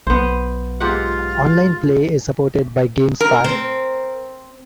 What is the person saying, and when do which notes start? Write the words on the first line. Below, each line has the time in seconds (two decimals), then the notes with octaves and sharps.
Online play is supported by GameSpy.
0.07 B1 B3 C5
0.80 G#2 F4 G4 F#5
3.21 A#4
3.44 C4